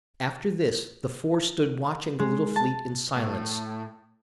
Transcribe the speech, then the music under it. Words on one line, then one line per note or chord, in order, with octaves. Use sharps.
After this the four stood watching the little fleet in silence.
G#3
A5
A2